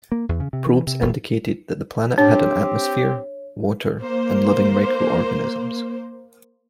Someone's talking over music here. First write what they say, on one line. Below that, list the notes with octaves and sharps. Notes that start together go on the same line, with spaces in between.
Probes indicated that the planet had an atmosphere, water and living micro organisms.
A#3
E2
C#3
C3
E3
C3
E1
C4 D4 G4 C#5
A#3 C5